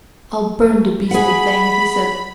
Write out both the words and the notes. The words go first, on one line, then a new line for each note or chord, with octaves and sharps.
"I'll burn the beastly thing," he said.
G#4 F#5 B5